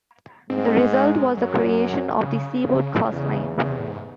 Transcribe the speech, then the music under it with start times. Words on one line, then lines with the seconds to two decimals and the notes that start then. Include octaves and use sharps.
The result was the creation of the Seaboard Coast Line.
0.50 G#2 C4
0.94 G#3
1.37 F#2 F#3
2.19 C3
2.24 C#3
3.11 E2
3.60 C#3
3.70 C3
3.79 A2
3.89 G#2